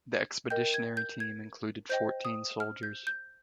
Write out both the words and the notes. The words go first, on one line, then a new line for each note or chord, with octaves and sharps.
The expeditionary team included fourteen soldiers.
A#4 D#5 G5 G6
G#6
G6
G#6
C5 D#5 G5 G6
D#6
F6
G6
G6